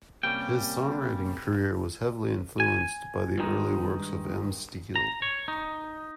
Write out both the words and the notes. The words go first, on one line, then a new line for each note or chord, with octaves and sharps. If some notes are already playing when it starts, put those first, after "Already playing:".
His songwriting career was heavily influenced by the early works of M-Steel.
C3 G3 A#3 C#4 G5
G#5
G2 D#3 G#3 D#4
A#5
C#5
D#4